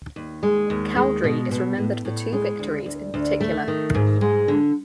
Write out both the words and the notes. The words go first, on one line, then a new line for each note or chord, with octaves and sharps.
Cowdrey is remembered for two victories in particular.
D#2
G#3
D#2
G#3
B2
B2
A2
A2
G#3
D2
D2
D2
A3
D#3
G#2
G#3
D3